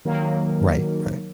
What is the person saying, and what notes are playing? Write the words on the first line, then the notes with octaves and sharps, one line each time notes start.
Right, right.
D#3 F#3 A#3 A#4